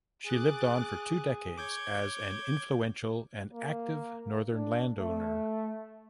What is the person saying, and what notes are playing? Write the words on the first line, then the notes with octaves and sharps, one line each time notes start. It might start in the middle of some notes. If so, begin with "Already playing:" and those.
She lived on for two decades as an influential and active Northern landowner.
G#4 D6 F#6 A6
C#5 D6 G6 G#6
A#3
D4
A3